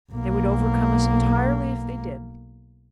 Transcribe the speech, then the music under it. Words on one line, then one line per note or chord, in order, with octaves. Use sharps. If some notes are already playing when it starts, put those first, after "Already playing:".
They would overcome us entirely if they did.
B1 A#3